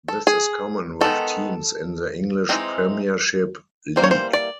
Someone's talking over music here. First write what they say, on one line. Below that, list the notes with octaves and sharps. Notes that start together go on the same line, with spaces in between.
This is common with teams in the English Premiership League.
A4
G#4
D#3 G#3 B3 D#4 A4
E3 G#3 C4 D#4
E3 G3 A#3 C5
C#5
C5
D5